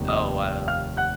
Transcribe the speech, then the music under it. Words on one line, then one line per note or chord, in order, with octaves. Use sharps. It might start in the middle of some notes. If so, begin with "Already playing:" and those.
Oh wow,
Already playing: F1 D#2 D#3
D#5 D#6
F5 F6
F#5 F#6